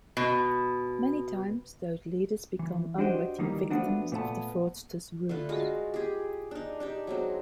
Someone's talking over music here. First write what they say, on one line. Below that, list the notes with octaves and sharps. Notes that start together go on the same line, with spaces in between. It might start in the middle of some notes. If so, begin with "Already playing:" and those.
Many times, those leaders become unwitting victims of the fraudster's ruse.
B2
E3
D4 F#4 G4 C5 C#5 D#5
D#3 E3 G3 A#3 D#4
F3 G3 A3 B3 D4 F#4
A#2 A3 B3 A5
D3 A3 F4 B4
G#3 F4 F#4
G4 G#4
D4 D#4
D4 D#4 G4
F#3 G#3 C4